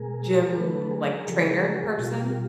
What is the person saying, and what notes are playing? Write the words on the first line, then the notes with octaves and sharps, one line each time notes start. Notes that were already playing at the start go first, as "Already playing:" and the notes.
gym, like, trainer person
Already playing: B2 G#3 G#4 A#4
D3 F#3 A3 A4 B4
G#4 A#4
C#3 F3 G#3 G4 A4
G#4 A#4
F#4 G#4
B2 G3 F4 G4